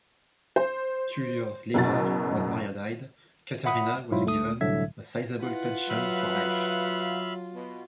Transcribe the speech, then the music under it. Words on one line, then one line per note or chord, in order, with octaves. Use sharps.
Two years later, when Maria died, Catharina was given a sizeable pension for life.
C5
F#1 F#2 B2 A6
E5 F#5 B5 D#6
G#2 B2 F#3 E4 F4
D2 A3 D#6
C2 A2 D3 F#3 E5 G#6
E4 F4 B4 F#5
F#3 E5 F5 B5
B2